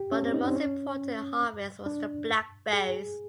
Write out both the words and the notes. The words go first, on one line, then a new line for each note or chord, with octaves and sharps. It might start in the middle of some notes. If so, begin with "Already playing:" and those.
But the most important harvest was the blackberries.
Already playing: G4
C#4
C4
D#4
D4
C4
C#4
D4
G#4